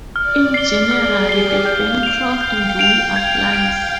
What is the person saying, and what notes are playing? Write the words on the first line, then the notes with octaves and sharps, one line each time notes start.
In general, the Bancroft rule applies.
D5 F6
C7 G7
G#4 F6
G4 C7 G7
F5 G6
D7 F7
G5 G6
D7 F7
G#6
D7 F7